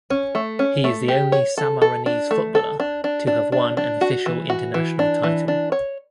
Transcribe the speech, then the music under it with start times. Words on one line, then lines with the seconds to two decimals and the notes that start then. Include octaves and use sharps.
He is the only Sammarinese footballer to have won an official international title.
0.10 C#4
0.35 A3
0.59 C#4
0.84 A3
1.08 G4
1.32 C#5
1.58 A4
1.82 A4
2.06 D4
2.31 A3
2.55 A4
2.80 D4
3.04 D4
3.27 D4
3.52 D4
3.77 D4
4.01 F#4
4.26 E3
4.50 F#4
4.74 E3
4.99 D4
5.24 E3
5.48 D4
5.72 C#5